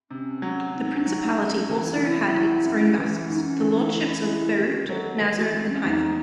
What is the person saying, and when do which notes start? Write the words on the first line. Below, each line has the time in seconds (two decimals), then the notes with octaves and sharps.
The Principality also had its own vassals: the Lordships of Beirut, Nazareth, and Haifa.
0.10 C3 C#4
0.42 F#3
0.74 C3 D#4
1.06 F#3
1.38 C#3
1.70 E3
1.93 D#4
2.02 C3 E4
2.34 F#3
2.66 F#2
2.98 E3
3.29 F#2 D#4
3.46 C#4
3.61 E3 C#4
3.77 D#4
3.93 C#3 E4
4.25 G#3
4.57 D#3 G#4
4.61 F#4
4.89 F#3 C#5
4.93 A4
5.21 E3 G#4
5.37 F#4
5.53 C4
5.69 C#4
5.85 E2 D#4